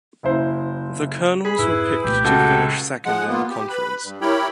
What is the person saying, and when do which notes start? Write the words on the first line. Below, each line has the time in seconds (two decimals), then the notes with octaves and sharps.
The Colonels were picked to finish second in the conference.
0.23 F#1 E4 C5
1.45 G#4 B5
1.59 F2 G#2 E4 B4
2.04 C2 A#2 A3 G4
2.24 C#2 F#4 A4
3.05 F3 G#3 F#5
3.28 A#3 B3 F4
3.50 G4
3.69 B4 B5
4.03 G2
4.21 E4 G4 A#4 C#5 G5 B5